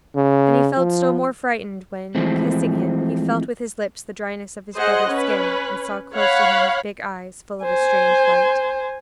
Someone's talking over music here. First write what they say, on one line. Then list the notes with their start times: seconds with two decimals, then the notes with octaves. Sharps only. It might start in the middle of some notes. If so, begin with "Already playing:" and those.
And he felt still more frightened when, kissing him, he felt with his lips the dryness of his brother's skin and saw close to him his big eyes, full of a strange light.
0.16 C#3
0.77 F3
2.15 E3 F3 G#3 A3 C4
4.75 G#4 C5 D#5 F#5
5.07 C#4 B4
6.15 C#5 F5 F#5 B5
7.65 C5 G#5